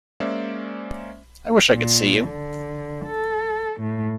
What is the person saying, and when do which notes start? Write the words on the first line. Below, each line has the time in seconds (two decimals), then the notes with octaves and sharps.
I wish I could see you.
0.20 G#3 A#3 C#4 C5 D5 E5
1.74 A#2
2.25 D3
3.06 A4
3.80 A2